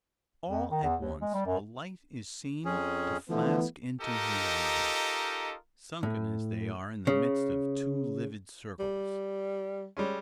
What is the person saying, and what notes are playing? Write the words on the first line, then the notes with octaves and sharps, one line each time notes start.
All at once a light is seen to flask into his eyes--sunken as they are in the midst of two livid circles.
F2
D#3
E2
D#2
G#3
G3
F#2
F2 C#4 G#4
D3 E3 F3 A3 B3
D#4 F4 G4 A4 A#4 D#5
A2
C#3
G3
G3 G#3 C#4